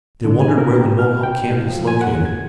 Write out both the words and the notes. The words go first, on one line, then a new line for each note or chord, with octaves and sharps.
They wondered where the Mohawk camp was located.
D3
G#5
A#4
G4
F6
G5
A2
F3
G#5
F#5
D#2
G#6